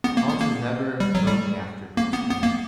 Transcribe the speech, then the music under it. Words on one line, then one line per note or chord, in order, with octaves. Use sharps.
Hans was never lonely after Prince came.
B3
A#3
B3
A#3
G3
F#3
G3
A#3
B3
B3
A#3